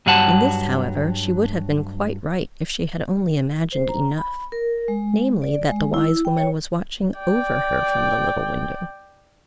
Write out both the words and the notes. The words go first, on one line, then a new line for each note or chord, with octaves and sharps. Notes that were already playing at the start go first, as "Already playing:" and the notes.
In this, however, she would have been quite right, if she had only imagined enough--namely, that the wise woman was watching OVER her from the little window.
G2 F#3 G3 F#5 G#5 A5
C5
A#5
B5
A#4
G#3
D5
G#3
E4
G5
C#5
D5 G5